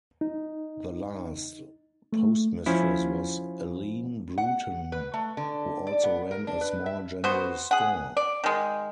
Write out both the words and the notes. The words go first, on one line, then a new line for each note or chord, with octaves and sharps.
The last Postmistress was Allene Bruton, who also ran a small general store.
D#4
A3
F3 C#4 E4
F#5
B4
A3
D3
D5
B3
A#4
D4
B4
E5
B3 F#4 C5
G#4 F#5
D5
D#3 G#3